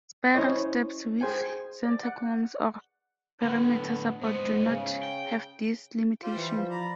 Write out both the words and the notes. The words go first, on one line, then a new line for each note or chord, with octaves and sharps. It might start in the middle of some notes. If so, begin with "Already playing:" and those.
Spiral steps with center columns or perimeter support do not have this limitation.
C#4 E4 C5 C#5 D#5
G#4 C5 G5 G#5
D5
F#5
A2 D3 B3
G#2 B3 C5
C#3
G5
G3 F4 C5
E3
F3
D5 A#5 B5